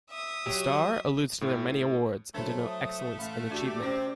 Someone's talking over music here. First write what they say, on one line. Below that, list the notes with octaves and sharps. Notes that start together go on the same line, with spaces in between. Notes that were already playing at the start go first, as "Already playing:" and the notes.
The star alludes to their many awards, and denote excellence and achievement.
E5 D#6
F#3 F#4 G4
A2
F3 F#3 A3 D4 A4 B5
E5 D#6
A1 E4 F5 F#5
D4 F#4 G4 D5
C3 C4 C#4